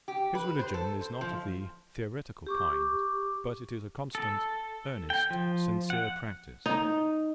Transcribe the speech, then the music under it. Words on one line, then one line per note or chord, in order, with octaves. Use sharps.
His religion is not of the theoretical kind, but it is a constant, earnest, sincere practice.
G4
B4
C5
A4
C5
F3
G4 C#6 D6
A4
G5
F3
F#5
D#4